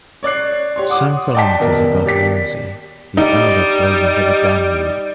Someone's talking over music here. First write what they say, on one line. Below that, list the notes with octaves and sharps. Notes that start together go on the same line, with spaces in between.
Some kilometers above Wallsee, the Erla flows into the Danube.
C#5 D5 F#6 C7
G4 C#5 C6
F#5 C6 D6 D#6
D5 D#5 G5 A5 B6
D#1 B2 A#4
G4 D5 B6
G3 D#4